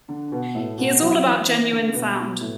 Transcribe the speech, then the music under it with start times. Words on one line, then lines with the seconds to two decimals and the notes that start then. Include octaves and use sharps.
He is all about genuine sound.
0.08 D3 D4
0.32 B2 B3
0.55 A2 A3
0.78 B2 B3
1.01 F#3 F#4
1.24 E3 E4
1.47 E3 E4
1.71 D3 D4
1.94 B2 B3
2.40 A2 A3